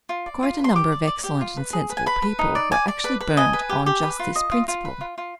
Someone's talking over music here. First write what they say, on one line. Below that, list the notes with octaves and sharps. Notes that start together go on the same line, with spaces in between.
Quite a number of excellent and sensible people were actually burnt on just this principle.
F4
D5
F4
B4
C6
G4 D6
D5
D5
G4
F4
B4
G#4
B4
G#5
B4 B5
B4
D#4
D5
D5 G#5
D5
B4
B4
D#5 G#5
B4
G4
G4
B4
F4
D#5
F4
F4
B4
F4
F4